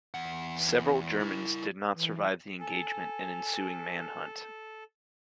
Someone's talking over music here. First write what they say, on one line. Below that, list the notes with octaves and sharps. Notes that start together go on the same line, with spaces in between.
Several Germans did survive the engagement and ensuing manhunt.
E2 F#5
E4 A#4
E3
A4 G#5